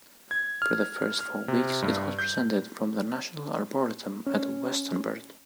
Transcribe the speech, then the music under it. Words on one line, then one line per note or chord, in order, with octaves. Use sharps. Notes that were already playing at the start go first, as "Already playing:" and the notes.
For the first four weeks it was presented from the National Arboretum at Westonbirt.
G#6
F6
F6
C3
G2
G6
C#4